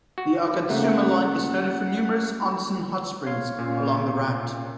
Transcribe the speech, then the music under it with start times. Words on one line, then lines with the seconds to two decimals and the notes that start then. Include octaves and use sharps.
The Agatsuma Line is noted for numerous "onsen" hot springs along the route.
0.18 F#4
0.69 C#3 A3 A#3 F#5
3.26 C#5 F5 C6
3.59 A#2 C#4